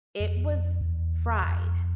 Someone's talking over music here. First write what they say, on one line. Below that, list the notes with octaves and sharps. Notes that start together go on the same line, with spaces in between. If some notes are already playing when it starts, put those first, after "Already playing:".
it was fried.
F2
E2
F2